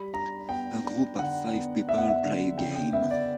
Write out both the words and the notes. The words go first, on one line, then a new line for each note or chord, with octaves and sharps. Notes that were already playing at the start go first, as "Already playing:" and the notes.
A group of five people play a game.
Already playing: G3 B5
D4 A#5
B3 G5
D4
D3 F#5
B3
B3 E5
F#5
E5
D3
C#3 G5
G5
B3 E5
D5